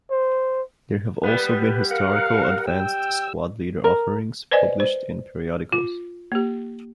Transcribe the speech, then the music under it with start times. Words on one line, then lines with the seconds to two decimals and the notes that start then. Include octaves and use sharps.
There have also been Historical Advanced Squad Leader offerings published in periodicals.
0.10 C5
1.24 G3 B3 B4
1.91 A#4 F5 F#5
2.67 G5 E6
3.84 A#4
4.51 B4 C5 D5 D#5 G#5
4.80 C5
5.72 F4
6.32 A#3 G4